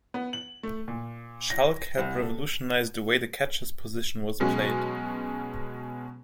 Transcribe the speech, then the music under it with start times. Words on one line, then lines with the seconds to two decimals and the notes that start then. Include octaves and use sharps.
Schalk helped revolutionize the way the catcher's position was played.
0.14 B3
0.33 F#7
0.63 A3
0.88 A#2
1.50 A#6
1.98 C2
2.21 A4
4.40 B2 F#3 G#3 C#4